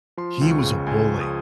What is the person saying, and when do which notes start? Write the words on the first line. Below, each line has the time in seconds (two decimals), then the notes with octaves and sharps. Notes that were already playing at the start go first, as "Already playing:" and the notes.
he was a bully.
0.17 F3 C6
0.41 C#2
0.52 C#6
0.63 C#3
0.87 C#2 G#5
1.09 F3
1.21 D#6